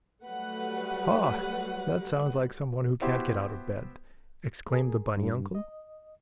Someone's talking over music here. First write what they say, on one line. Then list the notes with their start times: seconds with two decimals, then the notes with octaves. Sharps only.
"Ha! that sounds like some one who can't get out of bed," exclaimed the bunny uncle.
0.25 F#3 G3 A3 G4 B4 F#5
3.01 B3 E4 F#4 G4 C5
4.70 G#4 A#4
5.17 G2
5.55 D#5